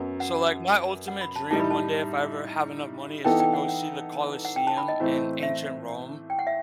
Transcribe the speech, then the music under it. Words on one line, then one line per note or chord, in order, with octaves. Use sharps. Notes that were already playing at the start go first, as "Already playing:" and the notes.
So, like my ultimate dream one day, if I ever have enough money is to go see the Colosseum in ancient Rome.
Already playing: F#2 F#3 B3
F#5
F#5
B5
A5
A2 G3 D#4 A5
B5
A5
E3 B3 D#4 A4 G5
G5
F#5
F#5
F#5
G5
A5
B5
D#5
A2 E3 A3 C4
E5
G5
F#5
E5